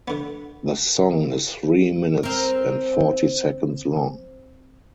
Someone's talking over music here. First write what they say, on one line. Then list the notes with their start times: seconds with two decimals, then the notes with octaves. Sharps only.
The song is three minutes and forty seconds long.
0.08 D3 B3
2.23 C4 A#4